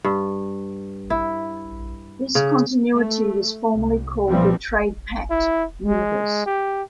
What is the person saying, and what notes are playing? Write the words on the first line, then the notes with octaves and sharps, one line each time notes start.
This continuity was formerly called the Trade Pact Universe.
G2
E4
C#3
A3
C2
A#2 E3 F3 G3 C4
E4
G#3
G4